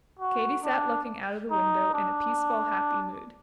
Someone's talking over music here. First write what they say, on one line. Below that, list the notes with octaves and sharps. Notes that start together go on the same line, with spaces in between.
Katy sat looking out of the window in a peaceful, happy mood.
F#4
D4
D#4
D4